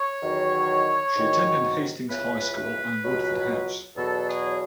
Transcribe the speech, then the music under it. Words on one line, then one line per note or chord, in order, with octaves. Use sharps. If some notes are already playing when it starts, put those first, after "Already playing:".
She attended Hastings High School and Woodford House.
Already playing: C#5
E2 D#3 F#3
G#2 D#3 F#3
C#2 C#3 E3 B4
B4
C#2 B2 F#3
E2 B2 F#3 A4
G#4